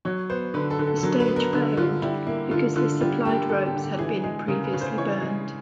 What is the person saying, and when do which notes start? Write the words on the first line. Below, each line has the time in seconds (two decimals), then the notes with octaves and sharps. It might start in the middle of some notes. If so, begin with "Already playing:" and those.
The stage failed because the supplied ropes had been previously burned.
0.05 F#3 C#5
0.30 B3 C5
0.54 D3 B4
0.71 A4
0.79 D3
0.87 A4
0.98 A4
1.03 F#3 A#4
1.20 B4
1.28 B3
1.36 A#4
1.53 D3
1.77 D3 F4
2.02 G3 E4
2.27 A#3 E4
2.51 D3 F4
2.76 D3 F4
3.01 G3 F4
3.25 A#3 G4
3.49 D3 A4
3.66 G4
3.74 D3
3.83 G4
3.99 E3 G#4
4.24 G#3 G#4
4.48 C#3 A#4
4.65 B4
4.73 C#3
4.81 C5
4.98 E3 C#5
5.22 G#3